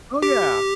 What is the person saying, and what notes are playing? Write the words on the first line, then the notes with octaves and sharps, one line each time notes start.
Oh, yeah.
G4